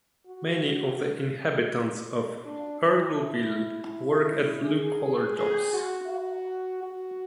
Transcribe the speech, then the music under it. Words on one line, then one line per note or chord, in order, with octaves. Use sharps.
Many of the inhabitants of Earlville work at blue-collar jobs.
F#4
D4
E4
E4
G#4
G#4
F#4
F#4
F#4